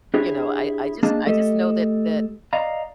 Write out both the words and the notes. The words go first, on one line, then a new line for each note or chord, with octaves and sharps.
you know, I I just I just know that that,
D4 E4 G4 G#4 C#5
A#3 D4 G#4 D#5 A5
A3 G4 A4 D#5
D5 D#5 F5 A#5